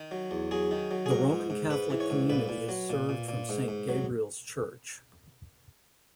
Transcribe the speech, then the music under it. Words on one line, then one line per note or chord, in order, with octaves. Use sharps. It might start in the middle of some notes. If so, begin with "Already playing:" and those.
The Roman Catholic community is served from Saint Gabriel's Church.
Already playing: D#3
F#3
E2
F#3 G#4
D#3
F#3
G#4
G#2 A#4
G#2
G#2
G#2 B4
E3
C#5
G#2
A#2 B4
A#2
F#3
A#2
A#2
A#2
G#2
G#2
F#3